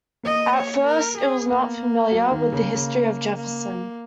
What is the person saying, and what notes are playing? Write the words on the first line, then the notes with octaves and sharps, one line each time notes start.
At first, it was not familiar with the history of Jefferson.
A#3 D#5
C#5
A#4
G#4
A#3 B3
F#3
D#3
C#3
C#3
A#3